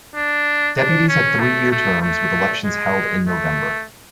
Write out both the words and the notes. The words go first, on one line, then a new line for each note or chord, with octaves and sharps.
Deputies had three year terms, with elections held in November.
D4
D4
C#4
A3
A3
A3
G#3
A3